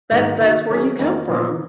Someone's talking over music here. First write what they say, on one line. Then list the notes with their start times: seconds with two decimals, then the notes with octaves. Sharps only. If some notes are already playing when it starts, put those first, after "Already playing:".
That that's where you come from,
0.11 G#2 D#3 A#3 D#4
0.40 D#3 A#3 D#4 F#4
0.70 D#3 F#3 C#4 G#4
0.99 F2 D#3 A#3 D#4
1.28 A#2 F3 B3 F4